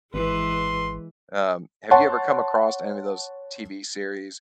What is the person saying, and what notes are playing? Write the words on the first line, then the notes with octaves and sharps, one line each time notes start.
um, have you ever come across any of those TV series
G#1 E3 G#3 B4 C6
C#5 F#5 A5 C6 C#6